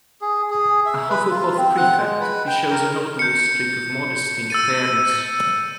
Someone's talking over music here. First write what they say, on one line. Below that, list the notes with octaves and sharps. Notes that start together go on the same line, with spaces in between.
A Hufflepuff prefect, he shows a notable streak of modesty and fairness.
G#4
G#4
E5
B4
F4
C4
F#5
G#3
B4
G5
A#4
G6 C#7
E6 A6 D#7